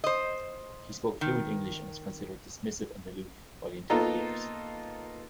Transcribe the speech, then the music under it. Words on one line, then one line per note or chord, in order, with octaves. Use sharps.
He spoke fluent English and was considered "dismissive and aloof" by the interrogators.
C5 D#5
D#3
A#3 B3 D#4 F4 A4 A#5